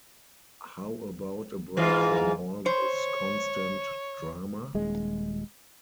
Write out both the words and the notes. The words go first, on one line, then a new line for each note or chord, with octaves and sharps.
How about a break from all this constant drama?
G#2 E3 F4
C5 C#5
D#1 G#3